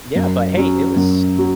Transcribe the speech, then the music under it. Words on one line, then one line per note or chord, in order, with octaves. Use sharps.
Yeah, but, hey, it was
F#2
F#3 C#4
F#2
F#3